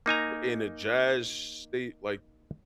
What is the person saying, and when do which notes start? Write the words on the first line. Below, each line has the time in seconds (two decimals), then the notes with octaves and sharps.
in a jazz state? Like,
0.06 A#3 D#4 G#5 A#5